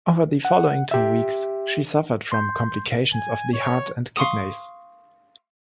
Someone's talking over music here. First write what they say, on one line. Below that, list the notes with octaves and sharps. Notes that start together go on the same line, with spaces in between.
Over the following two weeks she suffered from complications of the heart and kidneys.
F#5
G4 E5
C6 G6
G#5
C#5
F5 C6 C#6 D#6